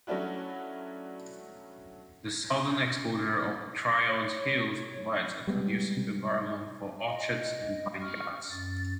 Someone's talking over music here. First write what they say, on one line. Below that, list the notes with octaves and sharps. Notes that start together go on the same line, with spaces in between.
The southern exposure of Tryon's hills provides a conducive environment for orchards and vineyards.
F#3 A3 C#4 D4 E4 F#4
C#5
G3 G#3 B3
D#5
C#6 F6
F#2 A6